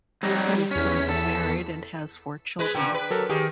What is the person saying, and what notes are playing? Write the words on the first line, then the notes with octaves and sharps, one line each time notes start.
He is currently married and has four children.
F2 F#3 G3 D#4
E2 C#4 B6
A4
G#3 B4
A#2 D3 G5
B4
F#3 A4 A#4
D#3 G4 G#4 G5